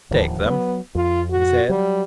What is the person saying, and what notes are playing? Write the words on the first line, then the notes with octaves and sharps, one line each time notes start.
"Take them," he said.
D1 D#2 F3
F#3 G3 B3
F2 F4
F#4
F#3 G3